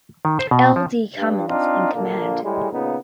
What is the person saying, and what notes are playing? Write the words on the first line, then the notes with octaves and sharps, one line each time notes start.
L. D. Cummins in command.
D#3
C5
B2
F3
G2
C4 D4 D#4 F4
A#1 A#2 D3 A#3
A2 G3 G#3
A#2 C#3 B3 D#4